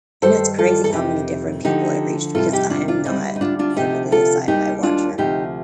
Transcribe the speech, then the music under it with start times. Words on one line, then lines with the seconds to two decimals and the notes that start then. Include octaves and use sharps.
I know it's crazy how many different people it reached because I am not typically a sci-fi watcher,
0.22 G2 D#3 G3 A4 C5
0.58 F4 A4
0.84 A4
0.93 F2 C3 D#3 D#4 G4
1.64 D2 D3 F3 D#4 G4
2.35 F2 C3 G3 F4 A4
2.52 D#4 G4
2.70 D4 F4
2.88 D4 F4
3.05 D2 D3 G3 C4 D#4
3.36 D#4
3.41 D4 F4
3.59 D4 F4
3.76 D2 C3 F3 D#4 G4
4.12 F4 A4
4.47 D#2 D#3 G3 D#4 G4
4.83 D4 F4
5.18 D2 C3 F3 D#4 G4